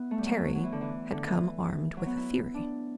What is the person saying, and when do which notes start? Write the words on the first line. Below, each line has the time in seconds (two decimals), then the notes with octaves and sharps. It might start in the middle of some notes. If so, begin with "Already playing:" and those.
Terry had come armed with a theory.
Already playing: B3 E4
0.11 A3
0.18 G3
0.26 F#3
0.37 F#3
0.55 F#3
0.64 E3
0.72 D3
0.81 E3
1.12 D3
1.27 E3
1.97 F#3
2.06 B3
2.17 E4
2.54 D4